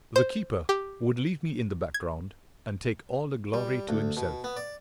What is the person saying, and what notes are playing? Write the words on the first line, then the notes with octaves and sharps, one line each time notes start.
The keeper would leave me in the background, and take all the glory to himself.
C5
G4
G#6
G3
D2
B2
B3
D5